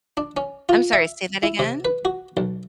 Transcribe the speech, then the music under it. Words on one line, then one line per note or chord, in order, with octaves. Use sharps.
I'm sorry, say that again?
D4
C#4
F4
E5
E4
C3
B4
F#4
B1